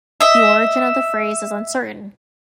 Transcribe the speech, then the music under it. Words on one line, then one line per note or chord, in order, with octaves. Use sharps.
The origin of the phrase is uncertain.
D#5 E5